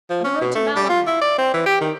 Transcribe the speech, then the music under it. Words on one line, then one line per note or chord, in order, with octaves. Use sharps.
On the road to Malahide.
F3
C#4
B2
A3
G3
F4
E4
D5
C4
E3
G4
D#3